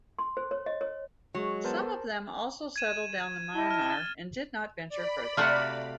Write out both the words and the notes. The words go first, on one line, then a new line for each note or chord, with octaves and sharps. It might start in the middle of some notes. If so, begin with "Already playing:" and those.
Some of them also settled down in Myanmar and did not venture further.
C6
C5
C#5
D#5
C#5
F#3 G#3
B3 A#4 C5 A5
G#6 D#7 E7
E4 D#5 A5
F6
A6 G7
D5 B5
C3 A3 F#4 F5